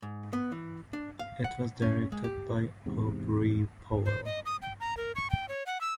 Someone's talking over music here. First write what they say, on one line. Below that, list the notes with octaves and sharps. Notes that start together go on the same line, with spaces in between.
It was directed by Aubrey Powell.
G#2
B3
E3
D4
F5
F#5
C#4
G#3
G4
E2 G#2 C3
C5
D#5
D#6
G5
A#5
A#4
C#6
G5
C#5
F#5
E6